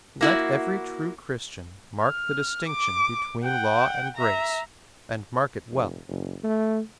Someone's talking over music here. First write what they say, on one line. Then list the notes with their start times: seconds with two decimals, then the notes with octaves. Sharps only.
Let every true Christian mark the distinction between law and grace, and mark it well.
0.21 A#3 E4 F#4
2.03 F6
2.68 D6
3.44 F#5 G5
4.17 E5 A#5
5.72 F1
6.08 F#1
6.44 A3